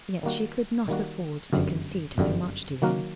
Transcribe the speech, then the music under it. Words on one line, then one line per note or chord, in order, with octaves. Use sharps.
Yet she could not afford to concede so much to him.
D#3 G3 A#3 F#4
D#3 G3 A#3 F#4
G1 F#2 D3 G3
G1 F#2 D3 G3
D#3 F#3 A#3 F#4 A#4